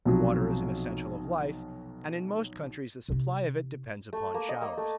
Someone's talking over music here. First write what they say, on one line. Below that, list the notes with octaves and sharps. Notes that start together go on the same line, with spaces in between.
Water is an essential of life, and in most countries the supply of it depends upon showers.
B1 C3 F3 F#3
C3 D#4
A3
A#3
D#5
A#3
A3